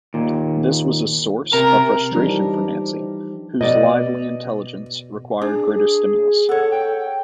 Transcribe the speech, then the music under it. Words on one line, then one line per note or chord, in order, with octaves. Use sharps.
This was a source of frustration for Nancy, whose lively intelligence required greater stimulus.
D#2 A#2
C3 A#4 A#5
E3 F3 G3 D4 D#4 G4
B2 D5 D#5
D4 G#4
A4 C#5 F#5
G5